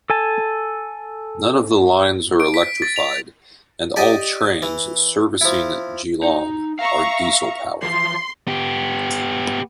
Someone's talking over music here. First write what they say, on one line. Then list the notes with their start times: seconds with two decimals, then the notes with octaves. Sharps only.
None of the lines are electrified and all trains servicing Geelong are diesel powered.
0.10 A4 G#5 A5
2.40 D7
2.54 B6
2.82 A6
2.96 F7
3.96 G4 D5 D#5
4.63 E3
5.41 F3 E4
6.23 D#4
6.79 E5 F5 A#5 C#6
7.83 E3 F3 C6
8.47 B3 G4